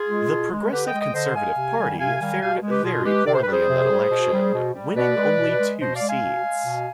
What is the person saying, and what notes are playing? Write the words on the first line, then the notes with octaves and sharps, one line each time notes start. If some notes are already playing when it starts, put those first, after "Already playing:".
The Progressive Conservative Party fared very poorly in that election, winning only two seats.
Already playing: F4 G#4
G#3
B2
G#3
D3 G4 B4
D#5 G5
G#3
D#5 G5
D3 C5 D#5
G#3 F5 G#5
C3
D#3 G3
C3 F5 G#5
D#3 G3 F5 G#5
B2 F5 G#5
G#3
G4 B4
B2 F4 G#4
G#3 G4 B4
C3 D5
C5
B4
G3 G#4 C5
C3
G3
B2
G3
B2
G3
B2 B4 D5
G#3
B2
G#3
B2 C5 D#5
D5 F5
G#3
F5 G#5
B2
G#3
B2